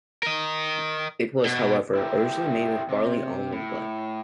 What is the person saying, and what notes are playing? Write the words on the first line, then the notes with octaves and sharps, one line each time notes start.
It was, however, originally made with a barley-almond blend.
A#4 D#5
B2
E4 G4 A#4 E5
C3
A2